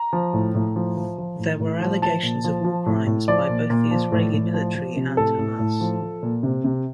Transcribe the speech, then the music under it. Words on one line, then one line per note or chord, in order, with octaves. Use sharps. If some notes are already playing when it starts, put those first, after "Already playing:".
There were allegations of war crimes by both the Israeli military and Hamas.
Already playing: A#5
F3
A2
A2
F3
F3
F3
A2
A2
F3
F3 A5
A#2
F3
F3
A2
A2
F3 D5
A#2
A#2
F3
A2
A2
F3
F3
C3
A2 A4
A2
A2
F3
F3
A#2
C3
C3